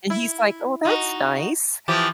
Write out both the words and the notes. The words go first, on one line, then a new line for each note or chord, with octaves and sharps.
and he's like, "Oh, that's nice."
E4
D#4 F#4
E3 F3 G4